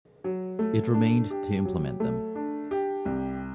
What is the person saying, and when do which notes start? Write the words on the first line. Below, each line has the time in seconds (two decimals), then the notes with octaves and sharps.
It remained to implement them.
0.24 F#3
0.59 A3
0.94 D4
1.30 G4
1.65 F#3
2.00 A3
2.35 D4
2.71 G4
3.06 C2